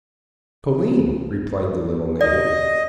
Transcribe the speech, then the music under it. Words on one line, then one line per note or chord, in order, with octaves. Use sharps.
"Toline," replied the little native.
D5 D#5